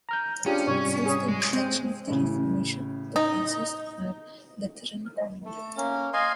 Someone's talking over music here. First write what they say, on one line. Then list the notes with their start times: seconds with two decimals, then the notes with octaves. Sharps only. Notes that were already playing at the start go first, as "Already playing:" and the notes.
Since the introduction of the Reformation, the places are Lutheran coined.
0.09 A#5 F6 G6
0.46 C#4 D4 F4 G4 G#4
0.67 G#2 C3 G3 C#5
1.06 G#4 C#5
1.28 G#3
1.53 C4 C5
2.08 A1 A2 C#3
3.16 D#4
5.45 A3
5.77 A#3 C#4
6.13 D#5 F5 G#5 C6